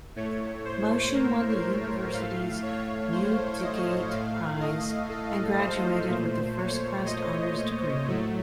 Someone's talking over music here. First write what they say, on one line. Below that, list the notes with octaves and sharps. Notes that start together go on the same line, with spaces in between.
Motion won the university's Newdigate Prize and graduated with a first class honours degree.
A2 A3 C#5
C5
A#4
C5
A2 A3 F5
C#5
C5
D#5
A2 A3 F5
D#5
A4
C5
A#2 A3
C#5
D#5
A2 F#3 A3